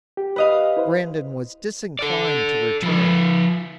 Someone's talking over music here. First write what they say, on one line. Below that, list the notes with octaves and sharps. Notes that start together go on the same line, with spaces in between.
Brandon was disinclined to return.
G4
B4 D#5 F5
E4 B4 C5
A4 D5
F3 B4